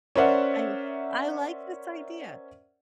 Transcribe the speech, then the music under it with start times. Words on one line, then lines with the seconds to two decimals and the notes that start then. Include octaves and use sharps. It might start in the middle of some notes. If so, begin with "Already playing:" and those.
I I like this idea.
0.16 C#4 A#4 C5 D5 E5 F#5